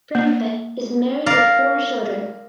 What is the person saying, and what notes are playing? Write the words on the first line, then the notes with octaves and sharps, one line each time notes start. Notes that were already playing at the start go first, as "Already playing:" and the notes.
Prempeh is married with four children.
A#3
A#4 D5 F5